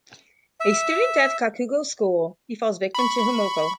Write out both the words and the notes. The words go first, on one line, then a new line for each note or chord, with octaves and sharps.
A student at Kakugo's school, he falls victim to Hamuko.
E5
B5 C#6